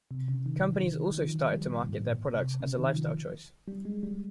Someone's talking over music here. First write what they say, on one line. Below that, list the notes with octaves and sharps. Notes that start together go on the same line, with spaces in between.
Companies also started to market their products as a lifestyle choice.
C3
C#3
D#3
D#3
D#3
D#3
F3
F3
G3
A#2
G#2
A#2
C3
C#3
D#3
F3
G3
G#3
G3